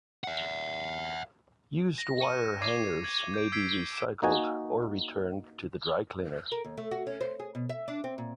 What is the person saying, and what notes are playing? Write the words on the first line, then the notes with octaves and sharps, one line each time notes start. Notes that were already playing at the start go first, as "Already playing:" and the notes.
Used wire hangers may be recycled, or returned to the dry cleaner.
E5 F#5
A#6
C#6 C#7 D#7
D6 G#6 C7 D#7
G#6
G6 D7
E6 G#6 B6 C7 D7
A#3 D#4 F#4 G#5
A#4
D#2
A3
F#4
C#4
C5
G#4
B2
E5
D4
C4
A#2